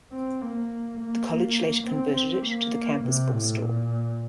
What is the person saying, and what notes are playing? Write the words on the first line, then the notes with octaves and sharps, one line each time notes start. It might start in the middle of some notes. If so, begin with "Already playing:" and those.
The college later converted it to the Campus Bookstore.
C4
A#3
A#3
C4
A#3
C3
A2
A#2